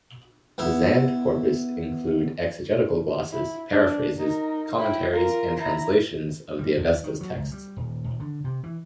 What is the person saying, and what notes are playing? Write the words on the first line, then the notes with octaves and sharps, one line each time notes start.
The "zand" corpus include exegetical glosses, paraphrases, commentaries and translations of the Avesta's texts.
B3 E4
E4
D4
D#4 A#4
E4 G5
F4 A#4
E4 A#5
G3
D#2
D#3
F#3
C#2
G3
D#1
D#1
D3
C3
E3